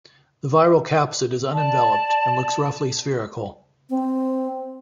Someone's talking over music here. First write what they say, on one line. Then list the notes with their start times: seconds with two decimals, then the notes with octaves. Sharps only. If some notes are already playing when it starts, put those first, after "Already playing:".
The viral capsid is unenveloped and looks roughly spherical.
1.53 D5 A5
3.90 C4